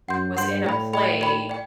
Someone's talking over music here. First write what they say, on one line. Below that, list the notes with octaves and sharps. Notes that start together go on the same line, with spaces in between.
was in a play,
F#2 F#5 C6 G6
G2 F#5 C6 G6
A2 D5 G5 B5
D5 G5 B5
D5 G5 B5
D5 G5